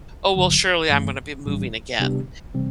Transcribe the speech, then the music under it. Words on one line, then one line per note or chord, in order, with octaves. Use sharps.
"Oh, well surely I'm gonna be moving again,"
A1 G2 D3 F#3
G2 E3 A3
B1 A2 E3 G3 D4
C3 G3 B3 D4 G4
C3 E3 G3 C4